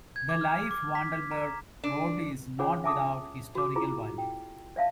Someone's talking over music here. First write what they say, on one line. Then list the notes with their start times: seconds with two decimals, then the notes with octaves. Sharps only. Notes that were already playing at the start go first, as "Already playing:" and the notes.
The life Wandelbert wrote is not without historical value.
0.16 G#6
0.29 D6
0.41 F6
0.71 D6
0.95 B6
1.31 A#5
1.84 D4
2.59 C#4 D4 F4 G#4 C#5 F#5
2.84 E5 G#5 A5 D6 D#6
3.55 F#4 D6
3.76 E4 F4 G#4 A#5
4.18 G5
4.76 D5 E5 F5 A5